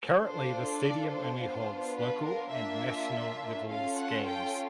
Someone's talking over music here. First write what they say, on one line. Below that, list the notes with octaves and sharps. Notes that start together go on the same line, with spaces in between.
Currently the stadium only holds local and national levels games.
D4 F4 A4 C5
D5
C5
B3 D4 F4
B4
A#4
A#3 D4 F4 E5
C#4 F4 A4 F5
F#5
G5